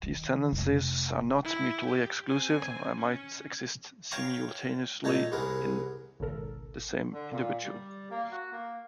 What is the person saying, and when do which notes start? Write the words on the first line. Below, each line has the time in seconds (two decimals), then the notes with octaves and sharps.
These tendencies are not mutually exclusive, and might exist simultaneously in the same individual.
0.03 D#3
0.53 F1
1.44 E4
1.86 G4
2.28 C4 G#5
2.97 C#4
4.11 C#5 F5 G5 A#5 C#6
5.04 A#2 D#4 A4 C#5 A5 A#5
5.32 C2 B3 G#4 A#4
6.20 G#1 C#2 B2 A4 A#4
7.14 D3
7.32 A#2
7.64 G3
8.11 A#3
8.32 F#4
8.52 A#3